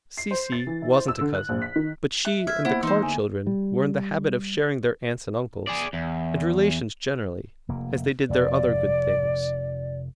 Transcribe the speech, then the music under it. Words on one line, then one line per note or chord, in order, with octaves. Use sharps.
Cecy wasn't a cousin, but she and the Carr children were in the habit of sharing their aunts and uncles, and relations generally, as they did their other good things.
C7
C5
A6
E3
E4
C5
E6
D3
F#6
A#1
B6
D#3
E5 F#6
F4 E5 F6 G#6
E2 A#3 E4 C5 F#5
E3 D#4 C5 C6 E6
D3 G#5
G3
G#4 D5
E2
F1 A#3
F1 F2 D5